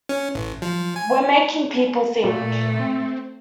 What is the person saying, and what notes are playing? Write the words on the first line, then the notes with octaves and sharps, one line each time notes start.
We're making people think.
C#4
A1
F3
G#5
A#2 A3
C4